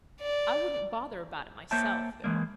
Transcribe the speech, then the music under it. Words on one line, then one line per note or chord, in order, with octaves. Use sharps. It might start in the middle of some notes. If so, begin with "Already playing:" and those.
I wouldn't bother about it myself, though.
D5
A#3 C5 C#5 E5 G5 A5
E3 G#3 A#3